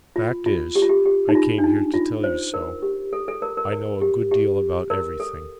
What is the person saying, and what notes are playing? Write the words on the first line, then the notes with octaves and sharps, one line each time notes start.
"The fact is--I came here to tell you so!--I know a good deal about everything."
F4
F4
G4
F4
G4
G4
D#4
F4
D4
D#4
F4
C5
A#4
G4
A4
A4
A#4
A#4
A#4
G4
G4
A#4
A4